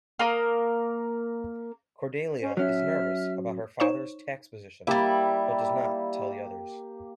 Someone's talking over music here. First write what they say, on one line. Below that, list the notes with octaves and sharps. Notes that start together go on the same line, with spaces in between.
Cordelia is nervous about her father's tax position but does not tell the others.
A#3 A#4 D#6
C#4 C5
F#3 C#4 E5 F6
D#4 C5 C#5 C#6 E7
G3 A#3 E4 G4